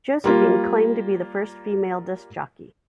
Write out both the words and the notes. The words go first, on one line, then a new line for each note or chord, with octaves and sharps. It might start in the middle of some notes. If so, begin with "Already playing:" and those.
Josephine claimed to be the first female disk jockey.
G3 A#3 F4